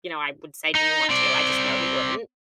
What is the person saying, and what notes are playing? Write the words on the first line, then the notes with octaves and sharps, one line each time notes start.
you know, I would say, "Do you want to?" I just know he wouldn't.
D#4
C4 D5